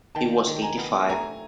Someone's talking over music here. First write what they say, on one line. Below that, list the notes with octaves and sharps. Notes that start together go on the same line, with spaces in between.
He was eighty-five.
D#3 G5 A5
D#3
G#5 A#5
B3
A3 G#5 A#5